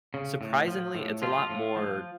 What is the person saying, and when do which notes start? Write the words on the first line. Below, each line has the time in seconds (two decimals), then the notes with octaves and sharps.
surprisingly, it's a lot more
0.14 C#3
0.41 A2
0.67 F3
0.95 A2
1.22 F3 F4
1.50 A2
1.76 F3